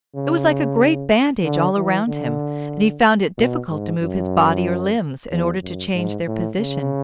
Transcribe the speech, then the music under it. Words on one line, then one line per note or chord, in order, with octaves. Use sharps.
It was like a great bandage all around him and he found it difficult to move his body or limbs in order to change their position.
C#3
D3
E3
D3
B2
G#2
F#2
E2
F#2
G#2
A2
C#3